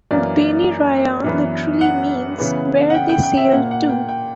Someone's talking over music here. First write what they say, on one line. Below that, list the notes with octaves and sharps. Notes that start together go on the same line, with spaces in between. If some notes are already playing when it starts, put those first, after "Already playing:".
"Binirayan" literally means ""where they sailed to"".
F#2 E3 A#3 D5
F#2 E3 B3
F#5
C#3 E3 B3
F#5
G5
G5
G5
E5
A#2 A#3 F#5
F#5
G5
G5